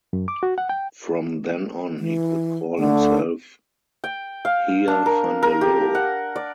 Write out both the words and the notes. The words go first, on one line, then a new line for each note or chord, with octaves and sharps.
From then on he could call himself "Heer van de Loo".
F#2
D6
F#4
F#5
G5
E3
D3 A3
G5
F5
D4
A#4
A#4
G4
F#5
D5